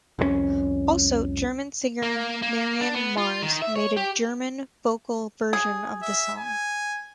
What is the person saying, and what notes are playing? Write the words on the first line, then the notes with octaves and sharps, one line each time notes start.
Also German singer Marion Maerz made a German vocal version of the song.
C2 F2 G#3 C#4
A#3
A#3
D4
B3
F4
D#3
E5
C#5
G4
G#4
E5
G#5